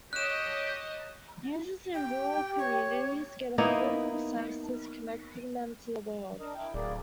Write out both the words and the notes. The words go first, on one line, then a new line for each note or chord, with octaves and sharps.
Users in rural communities get affordable services connecting them to the world.
G4 C#5 D#5 F#6 E7
G4 G5
C#5
A#3 B3 D#4 E4
D4 A#4 D#5
E4 G5
D1 A#3 G#4 D5